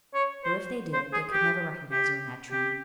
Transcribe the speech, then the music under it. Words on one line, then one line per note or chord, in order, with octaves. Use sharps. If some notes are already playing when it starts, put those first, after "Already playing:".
Though if they did, they could never recognize you in that trim.
C#5
C5
C5
G#4
G4
G4
G4